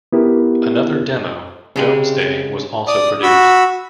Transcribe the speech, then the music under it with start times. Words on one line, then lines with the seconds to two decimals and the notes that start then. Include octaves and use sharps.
Another demo "Domesday" was also produced.
0.13 B3 E4 G4 A#4
1.76 C#3 G#3 C4 G4
2.88 D5 D#6
3.23 F#4 B5 E6